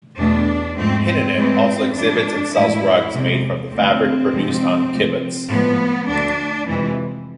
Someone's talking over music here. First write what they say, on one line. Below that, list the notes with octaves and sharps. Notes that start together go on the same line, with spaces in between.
"Hinnanit" also exhibits and sells rugs made from the fabric produced on the kibbutz.
E2 B2 A3 D4
G#2 F3 A3 C4
C4
A2 E3 G#3
F2 E3 G#3 D4
A2 E3 G#3 E4
E2 C3 G#3
D2 D3 F3 A3 C4
F2 C3 F3 G#3
D2 C3 F3 A3
A2 F3 G#3 B3
D2 D3 A3 D4
F2 C3 E3 G#3